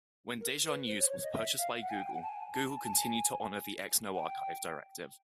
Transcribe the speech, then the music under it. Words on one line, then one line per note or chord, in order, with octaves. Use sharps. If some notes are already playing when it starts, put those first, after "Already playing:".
When DejaNews was purchased by Google, Google continued to honor the X-No-Archive directive.
A#4
B4
C5
C#5
C#5
D#5
E5
F5
F#5
G#5
G5
F#5
A5
G#5
A5
G#5
A5
G#5
F#5
G5